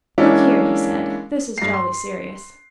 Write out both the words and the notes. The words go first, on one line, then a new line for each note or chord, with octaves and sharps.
'Look here,' he said, 'this is jolly serious.
E3 G#3 A#3 C#4 D4 E4
G2 C7
C6